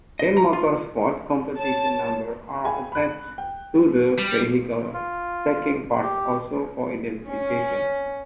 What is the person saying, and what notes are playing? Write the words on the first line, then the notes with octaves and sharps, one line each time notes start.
In motorsport, competition numbers are attached to the vehicles taking part, also for identification.
D#5
A#5
F4
C#5 A5
G#4 F5 G5 G#5 B5
B5 F#6
G5
G3
F4
G4
C#4